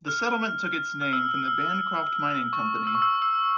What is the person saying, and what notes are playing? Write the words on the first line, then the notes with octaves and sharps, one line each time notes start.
The settlement took its name from the Bancroft Mining Company.
F6
F6
E6
E6
C#6
E6
C#6
E6
E6